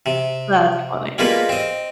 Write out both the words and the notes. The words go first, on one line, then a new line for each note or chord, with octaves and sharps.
That's funny.
C3
G3 G#3 A#3 F4 B4
C4 D#5